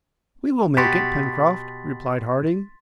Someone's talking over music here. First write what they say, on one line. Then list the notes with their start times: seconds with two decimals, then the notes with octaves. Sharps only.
"We will make it, Pencroft," replied Harding.
0.77 B2 F#4 G4 C6 A6 B6